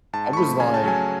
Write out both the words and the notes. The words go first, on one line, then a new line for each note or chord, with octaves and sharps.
I was like
G#2 A5
C#6
F3 A3 B5
C#3 G#5
A5
F#3 A3 C#4 G#5